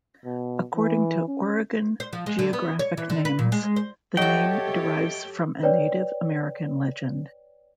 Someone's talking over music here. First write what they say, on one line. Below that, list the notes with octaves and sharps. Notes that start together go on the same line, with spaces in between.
According to "Oregon Geographic Names", the name derives from a Native American legend.
B2
E3
C#4
C5
F3
G#3
D3
B3
C#5
E3
D3
B4
A#2
G#3
C5
F#3 F#4 G4 A4 C#5 D#5 E5 G5
B4 C#5 D5 G5